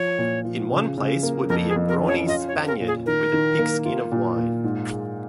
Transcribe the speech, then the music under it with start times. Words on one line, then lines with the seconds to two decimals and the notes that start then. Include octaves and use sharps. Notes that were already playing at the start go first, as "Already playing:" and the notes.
In one place would be a brawny Spaniard with a pigskin of wine.
Already playing: F3 C#5
0.18 A#2
0.45 F3
0.71 C#3
0.98 C#3
1.23 A#3
1.49 F2 A#4
1.69 G#4
1.76 F2
1.88 A#4
2.01 C#4
2.08 C#5
2.27 F4 D#5
2.48 C#5
2.53 F4
2.67 A#4
2.80 A#2
2.87 G#4
3.06 D#3 A#4
3.33 D#3
3.59 A#3
3.85 F4
4.12 A#2
4.37 A#2
4.64 G#2
4.90 G#3